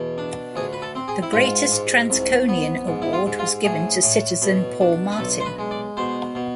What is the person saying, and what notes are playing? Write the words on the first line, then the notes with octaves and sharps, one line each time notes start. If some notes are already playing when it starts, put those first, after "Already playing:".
The Greatest Transconian award was given to citizen Paul Martin.
Already playing: E2 B2
D4
D2 G#4
B4
A4
C4
G#4
E4
G#2 F4
G#2
C2
B3
G#2
E4
F4
G#2
F4
A2 G#4
A2
B2
D4
B4
B1 A4
C5
B4
G#3
D5
B2 C5
B2